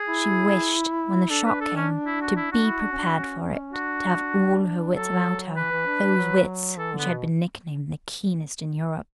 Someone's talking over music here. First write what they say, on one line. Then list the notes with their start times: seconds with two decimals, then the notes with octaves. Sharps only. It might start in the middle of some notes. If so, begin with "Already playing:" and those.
She wished, when the shock came, to be prepared for it, to have all her wits about her--those wits which had been nicknamed the keenest in Europe.
Already playing: G#4
0.08 E4
1.30 D4 A4
1.45 B4
1.61 A4
1.76 C#4
2.06 E4
2.21 F#4
2.37 E4
2.52 D4 F#4
2.67 E4
2.82 D4
2.92 C#4
2.98 D4
3.13 C#4
3.73 D4 F#4
4.96 F#3 A4
5.57 E3 B4
5.72 E3
5.87 D4
6.02 D4
6.17 F#3
6.78 E3 A4
6.94 D3 B3
7.09 B2